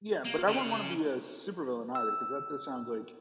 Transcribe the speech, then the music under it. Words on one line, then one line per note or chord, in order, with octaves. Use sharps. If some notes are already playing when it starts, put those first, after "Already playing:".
Yeah, but I wouldn't wanna be a supervillain either 'cause that just sounds like
A#3
C#3
E6